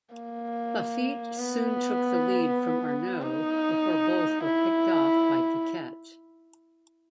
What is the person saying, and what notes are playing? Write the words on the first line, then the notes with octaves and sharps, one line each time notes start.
Laffite soon took the lead from Arnoux before both were picked-off by Piquet.
A#3
B3
D#4
E4